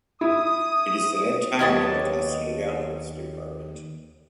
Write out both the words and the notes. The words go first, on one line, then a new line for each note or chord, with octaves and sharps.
It is the head town of the Castellanos Department.
E4 D#6
D#2 B3 G4 C#5 D#5 A5